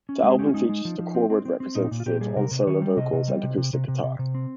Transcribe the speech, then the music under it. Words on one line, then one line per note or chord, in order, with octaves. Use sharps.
The album features the Corwood Representative on solo vocals and acoustic guitar.
C#4
G#3
G#4
C#4 G4
F4
G#3 D#4
G#3
F3
F3
C4
C4
C4
C4
A#2 D#4
A#2
F4
A#2 G4
G3 G#4
C3 A#4
C3
D#3 C#5
G3
C3 D#5
C3
G3
C3
C3
C3
C3
C3
C3
C4